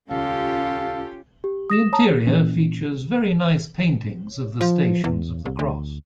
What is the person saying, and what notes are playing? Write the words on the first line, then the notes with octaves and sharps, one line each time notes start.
The interior features very nice paintings of the stations of the cross.
D#1 C#2 C#4 F4 G4 A4 F5
G4
D#6 A#6 E7
C#5 A5 A#5 D#6
A#2 E3 C#4
F3
E2
C2
D2